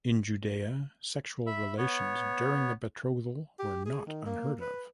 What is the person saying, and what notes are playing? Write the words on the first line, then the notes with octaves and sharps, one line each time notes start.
In Judea sexual relations during the betrothal were not unheard of.
E5 B5
B3 C#5
G4
G#4
D#3
A#3
B4